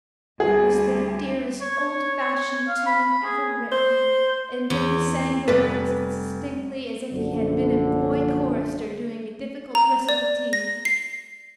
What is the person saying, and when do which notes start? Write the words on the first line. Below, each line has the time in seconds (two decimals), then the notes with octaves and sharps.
It was the dearest old-fashioned tune ever written, and Billy sang the words as distinctly as if he had been a boy chorister doing a difficult recitative.
0.40 D2 G3 G#4
1.62 C#5
2.68 F5
2.87 B5
3.24 G#4
3.72 C5
4.70 E2
5.48 F1 G3 B4
7.12 A#1 F#2 D3
9.75 A#5
10.09 D5
10.53 A#6
10.85 C7